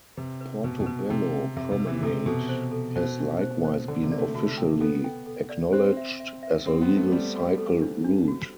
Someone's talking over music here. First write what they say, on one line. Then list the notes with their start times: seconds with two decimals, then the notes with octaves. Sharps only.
Portobello promenade has likewise been officially acknowledged as a legal cycle route.
0.17 C3 B4
0.41 B4
0.64 B2 B4
0.80 B2
0.86 B4
1.10 C3 G5
1.33 G5
1.57 C3 E5
1.72 C3
1.80 B4
1.87 E3
2.03 C3 A4
2.26 B2 A4
2.49 C5
2.72 A4
2.96 B2 C5
3.19 D4
3.41 C5
3.65 C5
3.88 D3 A4
4.03 C3
4.12 D5
4.19 A3
4.34 A3 F#4
4.58 G5
4.81 B3 A4
5.04 G5
5.26 A4
5.49 D5
5.73 C4 C5
5.97 E5
6.20 E5
6.43 E5
6.66 C4 F#4
6.81 B3
6.89 B5
6.96 A3
7.12 G3 B5
7.36 F#4
7.58 A4
7.82 D4
8.04 D4
8.28 F#4